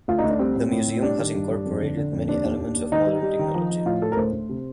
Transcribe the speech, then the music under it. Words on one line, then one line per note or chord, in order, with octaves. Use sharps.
The museum has incorporated many elements of modern technology.
D2 F4
D2 D#4
D4
G3 C4
A2
A2
A2
G3 D4
D#3
G2
G2
F2
D3
D3
F2
D#2 D4
D#2
D#2
D#2
D#3 D#4
G3
G3
D#3
F3
F3
A2 F4
A2 A4
A#4
D2 C5
D2
C3